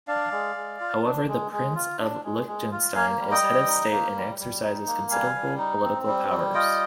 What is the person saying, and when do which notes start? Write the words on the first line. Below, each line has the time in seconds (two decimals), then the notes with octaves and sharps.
However the Prince of Liechtenstein is head of state and exercises considerable political powers.
0.08 D4 D5 F5
0.31 G#3
0.56 G#3
0.80 F4
1.04 D4
1.28 G#3
1.52 G#3
1.75 F4
1.99 D4
2.24 G#3
2.47 G#3
2.72 F4
2.95 A#3 F5 G#5
3.20 G3
3.31 D#5 G5
3.43 G3
3.68 D#4
3.91 A#3
4.15 G3
4.39 G3
4.62 D#4
4.87 A#3
5.10 G3 F5 G#5
5.35 G3
5.58 D#4
5.83 C4
6.07 G3
6.30 G3
6.54 F4 D#5 G5